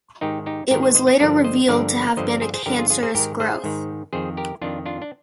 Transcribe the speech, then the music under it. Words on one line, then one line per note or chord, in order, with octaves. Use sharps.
It was later revealed to have been a cancerous growth.
G#2 D#3 D#4 G4
D#4 G4
G#2 D#3 G4 A#4
G#4 C5
C5 D#5
C5 D#5
G2 D3 F3 A#4 D5
C5 D#5
G2 D3 F3 A#4 D5
G2 D3 F3 C5 D#5
A#4 D5
G#4 C5
G#4 C5
G2 D3 F3 G4 A#4
F4 G#4
F4 G#4
G#4 C5
G#2 D#3 G4 A#4
G#4 C5
G#2 D#3
F2 D#3 G#4 C5
G4 A#4
F2 D#3 D4 F4
D4 F4
D4